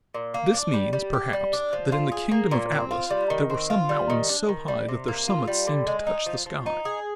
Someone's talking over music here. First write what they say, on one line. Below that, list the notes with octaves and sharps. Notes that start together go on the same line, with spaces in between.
This means, perhaps, that in the kingdom of Atlas there were some mountains so high that their summits seemed to touch the sky.
A#2
A#3
D4
G3
G3
G4
G3
D4
F3
F4
G#4
A#3
A#2
C4
F4
G3
D#3
C4
F4
G3
D#3
D4
D#3
G3
C3
A#3
F4
G3
D3
G#3
D#4
F3
F3
D#4
G#4